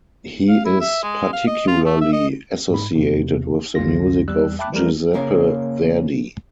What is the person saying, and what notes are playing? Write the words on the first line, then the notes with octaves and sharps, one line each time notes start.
He is particularly associated with the music of Giuseppe Verdi.
F5
E4
E5
G#3
F5
D#5
F4
A3
E5
D#5
G#2 B5
E2 C3
C2 F2 D3 F4 A#6
E2 G3 E6 F#6
E5 G5 A5 B5 D6 F#6
E3 G3 A3 A#4
C#3 A#3 A#4 C#5 F5